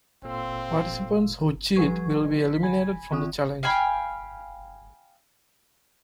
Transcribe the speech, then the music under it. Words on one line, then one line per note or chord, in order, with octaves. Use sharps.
Participants who cheat will be eliminated from the challenge.
A#2 C4 A4 F5 C6 E6
F3 G3 B4 C#6 G#6
D3
B6
G#5 B5 G#6
D#3 C4 F4 C#6 D#6
F5 G5 G#5 B5